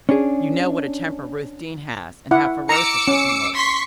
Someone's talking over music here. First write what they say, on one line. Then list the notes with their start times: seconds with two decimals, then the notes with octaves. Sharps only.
You know what a temper Ruth Deane has and how ferocious she can look?
0.09 C#4 D4 G#4
2.31 E4 F#5
2.69 A#5 D6 E6 C#7
3.08 C#4
3.55 C6 C#6 B6